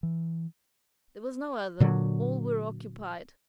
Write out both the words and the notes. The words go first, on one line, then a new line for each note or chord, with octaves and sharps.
There was no other, all were occupied.
E3
A#2 D3 F#3